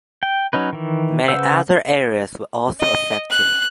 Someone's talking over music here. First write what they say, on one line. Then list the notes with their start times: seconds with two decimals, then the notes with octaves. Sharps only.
Many other areas were also affected.
0.23 G5
0.53 F#3 C#4 D#4 B4
0.73 D#3 E3
1.28 C#3 B4 C5 F#5 E6
2.80 D#5
3.31 F#6